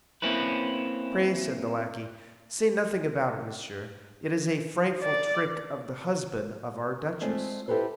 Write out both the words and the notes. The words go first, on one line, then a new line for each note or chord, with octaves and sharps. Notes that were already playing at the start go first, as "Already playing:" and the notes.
"Pray," said the lackey, "say nothing about it, monsieur; it is a frightful trick of the husband of our duchess!"
A#3 C4 C#4 E4 B4
D5
G#3 A3 C4 F4 D5
E4 G4 A4 B4 C5